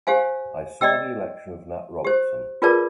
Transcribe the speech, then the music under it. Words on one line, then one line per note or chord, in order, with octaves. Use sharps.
It saw the election of Nat Robertson.
G4 C5 F5 G#5
D5 D#5 G5 E6
G4 C5
F4 G#4 A#4 B4 D5 A5